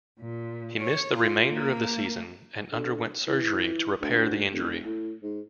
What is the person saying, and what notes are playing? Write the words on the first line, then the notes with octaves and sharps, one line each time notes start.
He missed the remainder of the season and underwent surgery to repair the injury.
A#2
C#5
F4
A#3
D3
E3
D2
E1
A2
G#2